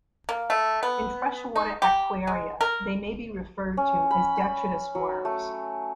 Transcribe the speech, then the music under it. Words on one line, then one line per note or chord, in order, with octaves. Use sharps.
In freshwater aquaria they may be referred to as detritus worms.
A#3
A3
B3
D#4
G4
G#3
A#4
C#4
B5
B5
F#3
A3